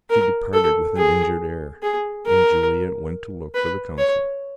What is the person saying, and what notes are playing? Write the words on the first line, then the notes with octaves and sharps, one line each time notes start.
She departed with an injured air, and Juliet went to look for the consul.
A#4
A4
G#4
G#4
A#4
B4
C#5